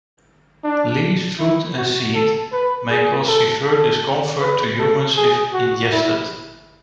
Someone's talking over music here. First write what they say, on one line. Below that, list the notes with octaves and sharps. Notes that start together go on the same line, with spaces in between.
Leaves, fruit and seed may cause severe discomfort to humans if ingested.
D4
E4
F#4
A4
B4
G#4
A4
A4
B4
A4
G#4
F#4
E4